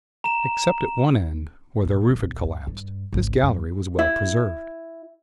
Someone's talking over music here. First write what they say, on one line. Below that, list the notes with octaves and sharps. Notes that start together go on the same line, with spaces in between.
Except at one end where the roof had collapsed, this gallery was well preserved.
A#5 E7
A#2
A#1 D#2
G2
G2
G#1 C#2
F#2
E4